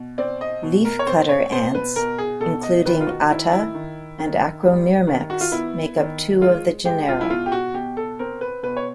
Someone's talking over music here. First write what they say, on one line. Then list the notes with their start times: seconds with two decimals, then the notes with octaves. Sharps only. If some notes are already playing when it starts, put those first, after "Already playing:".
Leafcutter ants, including "Atta" and "Acromyrmex", make up two of the genera.
Already playing: B2
0.18 C4 D5
0.41 D#5
0.63 B2
0.85 A#4
0.99 C#5
1.07 C4 C5
1.29 C#5
1.51 B2 C5
1.75 B4
1.96 B2 A#4
2.18 G#4
2.40 B2 A4
2.63 D#5
2.86 D#3 B4
3.01 F4
3.07 F#4
3.29 D#3 E4
3.52 E4
3.74 D#3
4.19 D#3
4.63 G3
5.07 D#3
5.30 F#4
5.41 F4
5.52 B3 E4
5.97 D#3
6.41 G#3 F4
6.85 G#3 G4
7.08 F4
7.21 E4
7.30 B2 F4
7.46 G4
7.52 F#4
7.74 B2 G4
7.97 A4
8.19 C4 A#4
8.41 B4
8.63 B2 B4
8.77 C#5